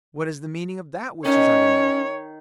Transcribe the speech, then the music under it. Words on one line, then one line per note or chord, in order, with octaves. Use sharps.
What is the meaning of that which is underneath?
D#3 C#4 C#5